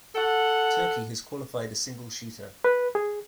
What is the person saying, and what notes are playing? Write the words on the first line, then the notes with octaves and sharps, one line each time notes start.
Turkey has qualified a single shooter.
A4 F#5
B4
G#4